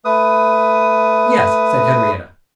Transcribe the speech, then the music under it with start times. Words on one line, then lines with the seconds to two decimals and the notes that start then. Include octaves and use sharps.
"Yes," said Henriette.
0.05 A3 B4 D#6